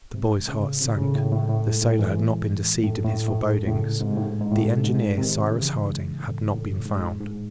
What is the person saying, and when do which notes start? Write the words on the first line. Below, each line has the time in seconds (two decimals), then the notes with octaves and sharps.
The boy's heart sank; the sailor had not been deceived in his forebodings; the engineer, Cyrus Harding, had not been found!
0.14 G#2 C3
0.47 A2 C#3
0.81 C3 D#3
0.98 A2 C#3
1.16 A2
1.32 A2
1.49 A2
1.65 G#2
1.82 A2
1.99 E3 G#3
2.84 A2
3.05 A2
3.28 A2
3.50 G#2
3.67 A2 C#3
4.00 G#2 C3
4.17 A2
4.25 G#2
4.41 G#2
4.52 A2
4.84 G#2 C3
5.18 C3 D#3
5.52 C#3 E3
5.86 G#2
6.19 A2
6.53 A2
6.86 G#2
7.03 A2
7.20 G#2